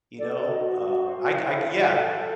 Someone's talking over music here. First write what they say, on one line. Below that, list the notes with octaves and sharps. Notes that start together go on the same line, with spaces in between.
you know? Um, I c I c yeah,
A4 D5
F#4
D#5
F#4
F#4
C5
C5
E4
E4
A4
A4